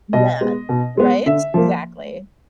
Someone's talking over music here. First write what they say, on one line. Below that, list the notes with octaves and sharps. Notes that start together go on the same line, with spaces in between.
yeah, right? Exactly.
B2 D#5
G#3 B3
B2
G#3 B3
D3 E5
F3 A#3